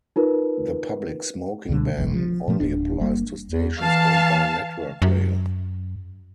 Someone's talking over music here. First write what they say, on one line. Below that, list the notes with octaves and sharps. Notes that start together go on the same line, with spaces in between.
The public smoking ban only applies to stations owned by Network Rail.
D#4 F4 A#4 B4
C#2 B2 D3 G3
F#1 B1 E2
F3
A#2 F3 A3
D1 D4
F#1 G3 A#3
E2
E3 F5 A5
F#2